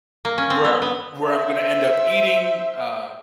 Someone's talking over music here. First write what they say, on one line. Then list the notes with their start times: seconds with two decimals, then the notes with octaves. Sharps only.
where I'm where I'm gonna end up eating, uh,
0.25 A#3
0.38 C#4
0.50 C4
0.65 B3
0.82 B3
1.21 C5 E5